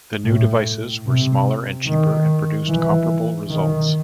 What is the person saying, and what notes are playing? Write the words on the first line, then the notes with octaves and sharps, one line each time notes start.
The new devices were smaller and cheaper and produced comparable results.
A2
C3
D#3
E3
D#3